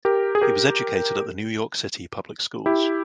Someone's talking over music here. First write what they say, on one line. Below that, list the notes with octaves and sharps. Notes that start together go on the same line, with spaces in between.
He was educated at the New York City public schools.
G4 A#4
G#4
G4 A#4
E4 G4